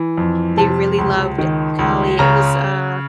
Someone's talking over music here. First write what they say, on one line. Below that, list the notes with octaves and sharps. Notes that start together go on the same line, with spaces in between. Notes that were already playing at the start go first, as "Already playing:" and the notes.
they really loved, golly, it was, uh
Already playing: E3
F2
C3 A5
C#2
D#3
C#2
C#3 A#5